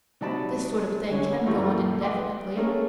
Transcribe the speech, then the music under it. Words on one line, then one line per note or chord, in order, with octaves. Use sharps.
This sort of thing can't go on indefinitely.
C3 F#3 D#4 D5 A5 B5
D3 C#4 G#5
F#2 A#2 E3 G3 A3 F4
B4 D#5 F#5 G5 C6 D6
A3 A#3 C#4 G#4 A#4